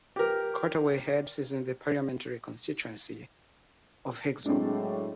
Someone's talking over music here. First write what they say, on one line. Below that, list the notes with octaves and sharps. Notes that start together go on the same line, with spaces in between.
Carterway Heads is in the parliamentary constituency of Hexham.
G4 A#4
A2 F#3 G#3 C4 D4